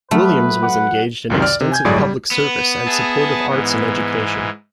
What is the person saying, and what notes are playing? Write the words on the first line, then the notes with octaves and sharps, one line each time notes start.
Williams was engaged in extensive public service and support of arts and education.
F#3 A3 B4 D#5 F6
F#5 D6
C#2 F#2 C3 D#3
D5 F6
C3
G#5 G6 G#6
G1 A2 F#3 G#3 G#4 D5
G3
B3
G#4 E5 A5
G#2 E3